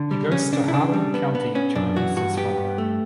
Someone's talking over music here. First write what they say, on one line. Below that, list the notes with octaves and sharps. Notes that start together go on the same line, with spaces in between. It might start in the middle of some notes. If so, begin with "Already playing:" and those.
He goes to Harlan County to release his father.
Already playing: D3 D4
G3
C#3 C#4
C#3 D4
E4
C#3 D4
G3
B3
B3
B3 C#4
F#2 D4
E3 F#4
G2 F#4
B3 G4
G2
A3